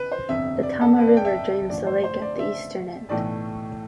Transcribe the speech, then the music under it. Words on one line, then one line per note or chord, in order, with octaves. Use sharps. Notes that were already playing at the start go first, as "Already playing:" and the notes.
The Tama River drains the lake at the eastern end.
Already playing: B4
C5
G1 F2 C3 E5
D5
A4
B4
D5
G5
E5
A1 G2 D3 F3 A3 D5
C5
C5
D5
E5
B1 A2 E3 A3 D5